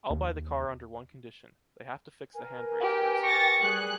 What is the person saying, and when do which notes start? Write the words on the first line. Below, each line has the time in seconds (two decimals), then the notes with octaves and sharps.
I’ll buy the car under one condition, they have to fix the handbrakes first.
0.10 D#2
2.34 A#4 B4 G#5
2.81 G4 G5
3.24 C#6 A6 A#6
3.60 G3 G#4 F#6